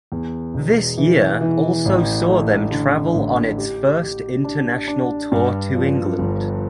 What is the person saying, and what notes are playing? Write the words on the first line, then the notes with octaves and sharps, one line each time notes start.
This year also saw them travel on its first international tour to England.
E2
E1
E3
E3
A1
A3
D3
A1
G4
G4
D4
D4
G2
F3
G1